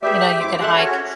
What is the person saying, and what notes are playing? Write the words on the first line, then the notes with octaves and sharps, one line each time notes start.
you know, you could hike.
G4 G#4 B4 D5 E5
F#2 E4 C5 D6
G#4 A4 E5 C6 F#6
C#4 F#4 C#5